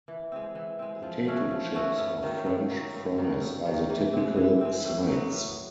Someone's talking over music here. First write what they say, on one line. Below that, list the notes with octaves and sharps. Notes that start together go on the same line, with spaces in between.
Potato chips or French fries are the typical sides.
E3
G#3 C4
E3
G#3 C4
F3
A3 C#4 F#4
F3
A3 C#4 F#4
G2
D#3 F#3
G2
D#3 F#3
G2
D#3 F#3
G2
D#3 F#3
E3
G#3 C4
E3
G#3 C4
A2
F#3 B3
A2